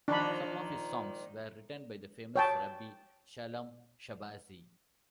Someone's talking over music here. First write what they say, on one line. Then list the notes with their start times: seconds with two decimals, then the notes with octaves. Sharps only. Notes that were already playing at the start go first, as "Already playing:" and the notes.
Some of his songs were written by the famous Rabbi Shalom Shabazi.
0.08 A#2 D#3 F3 D4 B5
2.36 C#5 G5 A5